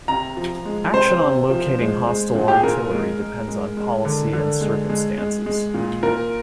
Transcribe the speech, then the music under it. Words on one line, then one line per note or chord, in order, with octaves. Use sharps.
Action on locating hostile artillery depends on policy and circumstances.
C3 A#5
F3
G#3
C3 C5
C3
F3
G#3
G#3
A#2
G4
G#4
A#2 A#4
G#3
G#3
G#3
G#3
D3
D3
G#3
G#3
G#3
G#3
A#2
A#2 A#4